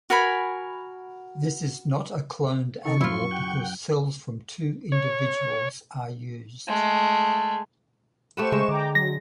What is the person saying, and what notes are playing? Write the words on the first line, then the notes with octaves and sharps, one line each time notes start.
This is not a cloned animal because cells from two individuals are used.
F#4 A#4 G#5 B5
D#3 D#4 A4 C#6
F#2 F3 E4 F4 C6
F#5 G5
C#5
G#3 A3
A3 G4 B4 C5 C#6 E7
C#3 G#3
D3 G5 A#5 D6
F#3 A#6